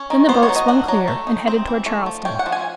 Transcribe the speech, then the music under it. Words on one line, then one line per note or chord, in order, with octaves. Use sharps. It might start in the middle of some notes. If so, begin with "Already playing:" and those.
Then the boat swung clear and headed toward Charleston.
Already playing: C#4
D#3
B3 C5
C#5
F#3
D#5
D4 F#5
F#3
A3
D#4
C4
E3
A3
F3
C#4 G5
F#5
F3
G#5